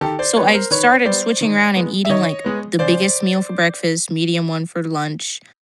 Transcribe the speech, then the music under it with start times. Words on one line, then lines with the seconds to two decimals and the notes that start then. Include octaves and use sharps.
so I started switching around and eating, like, the biggest meal for breakfast, medium one for lunch,
0.01 D#3 G4 A4
0.19 C5 D5
0.36 G3 B3 B4 C#5
0.54 A#4 C5
0.71 D#3 B4 C#5
1.05 G3 B3 C5 D5
1.41 D#3
1.76 G#3 B3
2.05 E5
2.09 D#3 C#5 D#5
2.44 G#3 B3
2.79 C#3 C5 D5